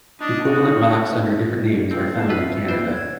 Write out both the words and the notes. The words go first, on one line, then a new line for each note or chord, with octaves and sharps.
Equivalent rocks under different names are found in Canada.
D4 D#4
F#4
C4 F4 G4 A4
B3 A4 F5 A5
A#1 F4 B4 E5 E6
C2 A#3 D4 B4 C5
C#5 G#6